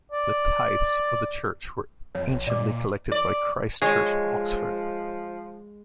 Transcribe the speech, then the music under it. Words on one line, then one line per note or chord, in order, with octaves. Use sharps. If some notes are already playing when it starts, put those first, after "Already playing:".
The tithes of the church were anciently collected by Christ Church, Oxford.
D5
F2 C#5
A1
A#2 D5 D#5 D6
D5
F3 G#3 G#4 C#5